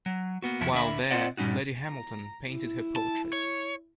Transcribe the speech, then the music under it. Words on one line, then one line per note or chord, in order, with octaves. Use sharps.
While there, Lady Hamilton painted her portrait.
F#3
A#3 B3 F#4
C2 F2 F3 E4 F#4 A5
D2 D3 A#3 E5 B5
C4 F4 C5 D5 D#5 F#5
G2 A#2 G3 C#4 D#4 F#4
A#5
E4
A5
C#5